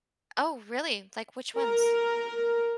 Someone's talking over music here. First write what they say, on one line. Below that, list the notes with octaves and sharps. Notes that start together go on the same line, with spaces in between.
Oh, really? Like, which ones?
A#4